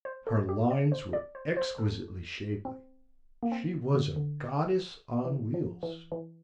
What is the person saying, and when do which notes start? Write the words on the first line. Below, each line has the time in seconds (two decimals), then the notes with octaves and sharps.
Her lines were exquisitely shapely; she was a goddess on wheels.
0.05 C5
0.27 A4
0.49 G4
0.71 D5
0.92 C5
1.13 D5
1.35 C5
1.57 C5
1.78 A4
2.65 C4
3.43 A#3
3.52 C4
3.95 D3
4.16 D3
5.25 E3
5.54 F3
5.83 E3
6.12 E3